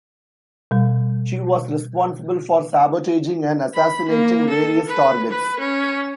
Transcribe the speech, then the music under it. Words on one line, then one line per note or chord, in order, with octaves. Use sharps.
She was responsible for sabotaging and assassinating various targets.
B2 G3
B5
A#3
A4
B4
B4
C#4